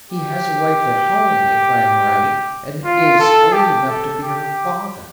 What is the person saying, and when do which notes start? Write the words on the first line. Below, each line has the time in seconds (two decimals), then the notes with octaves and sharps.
He has a wife at home, if I am right, and is old enough to be her father.
0.10 G4
2.84 F4
3.20 A4
3.53 G4
3.87 A4
4.22 G4